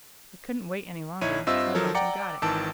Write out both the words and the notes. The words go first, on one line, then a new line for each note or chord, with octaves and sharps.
"I couldn't wait any longer, so I went and got it."
A#1 D#4 E4 C#5 G#6 D#7
G2 C4 F4 D#5 E5 E6
F3 F#3 A4 A#4
D5 F#5 G5 A#5 D6 C#7
G#1 D#3 E3 A5 E6 D7